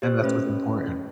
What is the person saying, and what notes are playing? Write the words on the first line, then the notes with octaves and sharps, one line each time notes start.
And that's what's important.
G4 C5
A3 C#4 B4